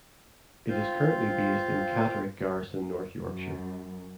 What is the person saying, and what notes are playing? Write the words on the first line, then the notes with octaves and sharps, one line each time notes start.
It is currently based in Catterick Garrison North Yorkshire.
C4 F4 F5 G6
F#2